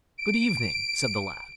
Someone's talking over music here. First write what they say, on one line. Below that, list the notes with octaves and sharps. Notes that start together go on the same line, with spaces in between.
'Good evening!' said the lad.
D7